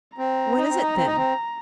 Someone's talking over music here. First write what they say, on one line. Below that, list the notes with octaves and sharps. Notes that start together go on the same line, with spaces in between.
"What is it, then?"
C4 A#5
D#4
C4
D#4
C4
D#4
C4